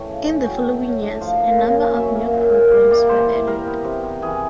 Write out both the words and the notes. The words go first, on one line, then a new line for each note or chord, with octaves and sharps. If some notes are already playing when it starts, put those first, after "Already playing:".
In the following years, a number of new programs were added.
Already playing: E3 A3 C#4 G5
C#3
C#4
F#3 G5
A3
A2
D4
F3 F5
A#3
C#3
C#3
F#3 E5
A#3
A#2
A#2
G3 D5
A#3 D5
E3 C5
E4
G3 A#4
B3
C3
C3
E3 G#4